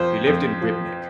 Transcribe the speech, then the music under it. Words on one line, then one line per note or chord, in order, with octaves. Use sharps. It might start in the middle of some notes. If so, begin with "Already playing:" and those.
He lived in Rybnik.
Already playing: F2 F3 C5
F2
F3